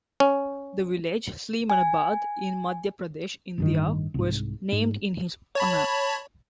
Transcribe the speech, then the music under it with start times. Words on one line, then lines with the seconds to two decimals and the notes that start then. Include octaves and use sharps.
The village Sleemanabad in Madhya Pradesh, India was named in his honour.
0.20 C#4
1.70 G#5
3.58 A1 G2 D#3
4.14 C2 G#2
4.72 G#2
5.55 C#5 A5 B5